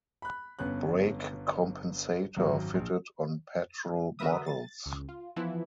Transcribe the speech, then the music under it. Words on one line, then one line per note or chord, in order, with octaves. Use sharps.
Brake compensator fitted on petrol models.
B5 F#6
G1 B3 C#4 F#6
G#1 F#2 F#3
A#1
D3 F#4 A#4 B4 E5 D#6
A6
C#2
F4
E3 F3 B3 E4